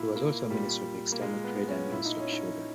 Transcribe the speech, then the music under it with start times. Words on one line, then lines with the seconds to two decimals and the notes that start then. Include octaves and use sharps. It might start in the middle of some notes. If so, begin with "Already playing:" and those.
He was also Minister for External Trade and Minister for Sugar.
Already playing: A#2 E4
0.16 A#3
0.50 A#2 G3
1.12 A#3
1.21 A#2 G#3
1.44 B3
1.68 C#4
1.92 A#2 E4
2.05 D#4
2.19 C#4
2.33 D#4